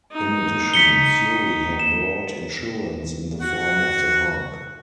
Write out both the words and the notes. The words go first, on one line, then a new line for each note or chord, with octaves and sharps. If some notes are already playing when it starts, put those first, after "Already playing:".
In addition, Fury had brought insurance in the form of the Hulk.
D#4
B6 C#7 G7
E7
F#4 F#5